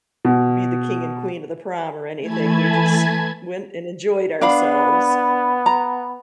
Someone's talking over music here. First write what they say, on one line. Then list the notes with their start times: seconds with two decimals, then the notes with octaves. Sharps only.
be the king and queen of the prom or anything, we just went and enjoyed ourselves,
0.25 B2
2.19 E3 A3 G#5 A5 B5 G#6
4.41 B3 D4 F5 B5
5.66 A#5